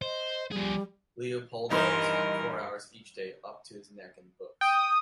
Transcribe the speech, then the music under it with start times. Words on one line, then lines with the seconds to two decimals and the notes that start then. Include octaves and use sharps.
Leopoldo spent four hours each day 'up to his neck in books'.
0.02 C5 D#5
0.51 F3 G3 G#4
1.70 A#1 G2 E3 D#4 A#4 D#5 C6
4.61 G5 D#6